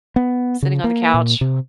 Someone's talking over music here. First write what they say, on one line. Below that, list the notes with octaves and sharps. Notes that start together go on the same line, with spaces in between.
sitting on the couch,
B3
C#3
A#3
A#2
C3